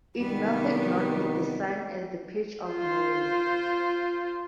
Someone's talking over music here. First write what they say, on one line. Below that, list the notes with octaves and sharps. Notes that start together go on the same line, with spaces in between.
It melteth not with the sun as the pitch of Norway.
C2 D#3 G3 B3
F4 C5